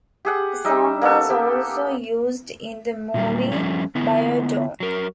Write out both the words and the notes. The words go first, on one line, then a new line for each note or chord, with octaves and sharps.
The song was also used in the movie "Bio-Dome".
G4 G#4 F#5
G3 D#4 E5
A#3 B3 C#4 A4
G4
A#2 F#3 G3 A#3
F3 G3 A3 C#4
D3 B3 E4
F#3 A#4